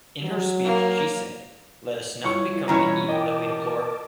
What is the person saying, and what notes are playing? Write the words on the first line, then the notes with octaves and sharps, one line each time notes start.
In her speech she said, "let us not become the evil that we deplore".
F#3
A#3
G3 E4 F4 C#5 C#6
B2 E3 C#4 C#5 A#5
A#4 D#5 G5 A5 D6